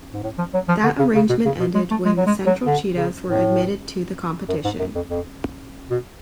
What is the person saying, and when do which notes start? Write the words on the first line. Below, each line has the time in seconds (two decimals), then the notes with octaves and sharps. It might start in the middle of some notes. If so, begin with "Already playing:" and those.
That arrangement ended when the Central Cheetahs were admitted to the competition.
0.13 G#2
0.24 A2
0.38 F3
0.54 F#3
0.69 F3
0.84 D3
0.99 C#3
1.15 C#3
1.29 B2
1.46 C#3
1.60 B2
1.75 G#3
1.91 A3
2.05 G#3
2.18 F#3
2.26 G#3
2.46 F#3
2.67 D3
2.97 C#3
3.27 A2
4.49 F#2
4.65 G#2
4.79 F#2
4.95 F2
5.10 F2
5.91 B2